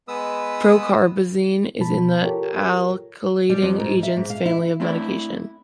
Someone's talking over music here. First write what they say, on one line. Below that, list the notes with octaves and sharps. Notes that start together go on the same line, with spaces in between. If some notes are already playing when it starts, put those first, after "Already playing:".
Procarbazine is in the alkylating agents family of medication.
G#3 B3 B4 D#6 E6
B2 F3 A5 B5
F4 G4 A4 A#4 C#5
G3
F2
G#2
E5
G#2
F5
E4
A3 C4 D4 E4 D5